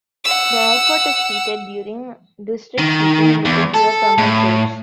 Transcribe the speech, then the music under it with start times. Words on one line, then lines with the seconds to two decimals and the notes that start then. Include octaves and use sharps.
The airport is heated using district heating with a geothermal source.
0.24 F#5 E6
2.78 D#3
3.45 E2
3.74 A4
4.18 A2